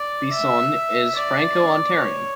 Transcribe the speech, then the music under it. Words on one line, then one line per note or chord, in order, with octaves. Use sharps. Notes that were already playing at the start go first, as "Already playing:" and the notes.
Bisson is Franco-Ontarian.
Already playing: D5
E5
D5
C#5